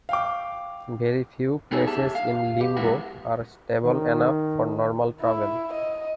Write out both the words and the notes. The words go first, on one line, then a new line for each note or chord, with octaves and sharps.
Very few places in Limbo are stable enough for normal travel.
F5 G5 D6
B3 D#4 G#4 A4 C#5
G4 E5 A5
F5
G4
F#2 F3 G#3 B3 E4 F#4
D#3
E4
D#5